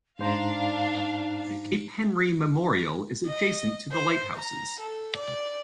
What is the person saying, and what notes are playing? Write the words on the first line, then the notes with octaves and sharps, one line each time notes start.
The Cape Henry Memorial is adjacent to the lighthouses.
G#2 D4 D#4 C5 F5 A#5
D#5
C5
A#5
A4
D5